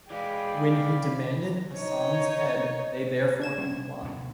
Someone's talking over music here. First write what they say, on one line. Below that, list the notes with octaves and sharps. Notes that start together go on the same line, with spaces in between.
When he demanded Hasan's head, they therefore complied.
E3 G#3 G#4 D5 F5 G5 B5
D#4 C#5
D4 G#6 E7
G3 C4 C#4
D2 B2